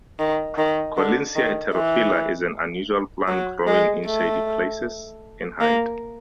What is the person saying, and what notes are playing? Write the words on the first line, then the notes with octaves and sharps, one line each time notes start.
"Collinsia heterophylla" is an annual plant growing in shady places, in height.
D#3
D#3
D3
D#3
E3
F#3
G#3
A3
A#3